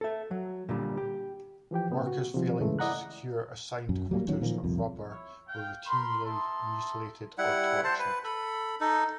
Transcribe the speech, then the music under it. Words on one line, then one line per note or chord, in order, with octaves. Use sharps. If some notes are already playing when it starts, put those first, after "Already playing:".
Workers failing to secure assigned quotas of rubber were routinely mutilated or tortured.
A4 E5
F#3
A#2 D3 G3
G4
E3 F3 G4 G5
A2 C#3 B3
F#4
C3 D#3 F3 G3
E2 G#2 C#3 E3 G#3 A3
E4 D5 D#5 F#5 A#5 F#6
F#2
F#3 G3 A#3
D2 D#3 F#3 C#4
A#2 D#3 F3 A#3
C2 F2
E4 C#5
F5 G5
A#4 B5 C6
D#4 A4 E5 C6
G3 E4 F#5
C5 A5
B4
A4 B5
D#4 A4